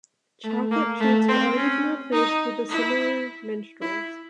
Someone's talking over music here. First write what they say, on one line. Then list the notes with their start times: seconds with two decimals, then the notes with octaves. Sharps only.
Chocolate Treets had already been replaced with the similar Minstrels.
0.44 A3
0.71 A#3
1.00 A3
1.28 C4
1.57 C#4
2.12 D#4
2.69 E4
3.82 E4